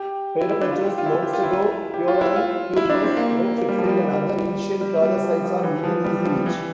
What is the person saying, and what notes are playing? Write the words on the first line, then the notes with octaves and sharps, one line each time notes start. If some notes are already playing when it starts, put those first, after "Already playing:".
Peyrepertuse, Montsegur, Puilauren, Queribus, Roquefixade and other ancient Cathar sites are within easy reach.
Already playing: G4
E4
E4
D4
F4
G4
F4
E4
F4
G4
F4
E4
G4
F4
E4
F4
E4
D4
C4
A#3
A#3
G3
F3
G3
G3
G3
F3
F3
E3
F3
G3
F3
E3